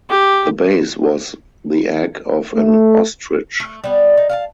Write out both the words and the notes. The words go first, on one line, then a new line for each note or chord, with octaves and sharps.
The base was the egg of an ostrich.
G4
A3
A3
G3 B3
D#4
F5 F#5 A5